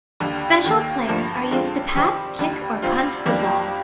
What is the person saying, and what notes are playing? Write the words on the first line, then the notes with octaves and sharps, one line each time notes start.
Special players are used to pass, kick or punt the ball.
D#2 D3 G3
D#2 D#3 A#3
G2 D3 F3 A#3
F2 D3 G#3 C4 F4
C3 D#3 G3 C4
D#2 D3 G3
D2 C3 G3 C4 F4
F2 D#3 G3 A#3 D4